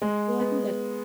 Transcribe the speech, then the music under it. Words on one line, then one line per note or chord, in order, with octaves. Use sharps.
Well, I think that
G#3
B3